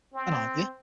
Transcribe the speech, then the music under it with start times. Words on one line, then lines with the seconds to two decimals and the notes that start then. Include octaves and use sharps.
And aren't you?
0.14 C4